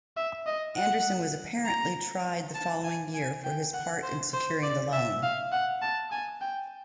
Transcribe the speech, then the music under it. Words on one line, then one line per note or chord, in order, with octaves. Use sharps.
Anderson was apparently tried the following year for his part in securing the loan.
E5
D#5
F#5
A#5
A5
G#5
G#5
G5
F#5
C5
C5
D5
E5
F5
F#5
A5
G#5
G5